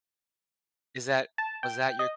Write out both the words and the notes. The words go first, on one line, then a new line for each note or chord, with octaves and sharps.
Is that was that your
A5
G5
D#5